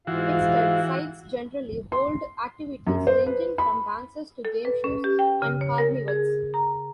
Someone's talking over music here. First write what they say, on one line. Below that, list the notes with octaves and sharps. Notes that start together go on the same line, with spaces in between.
Instead, sites generally hold activities ranging from dances to game shows and carnivals.
G#2 E3 F4 F#4 F5
C6
F#2
C5
B4
B5
A4
B4
C#4
G4
G5
C#3
C#5
A#4
G#4
A#5